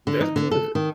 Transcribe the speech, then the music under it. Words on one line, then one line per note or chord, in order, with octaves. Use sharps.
That's good.
D3
D#4
D3
A4
D#3